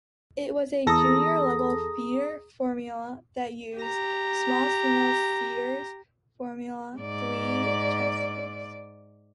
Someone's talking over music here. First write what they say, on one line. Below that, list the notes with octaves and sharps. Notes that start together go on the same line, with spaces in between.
It was a junior-level feeder formula that used small single seater Formula Three chassis.
E2 G#4 A4 A#5 D#6 A#6
G4 A#5
G#2 D5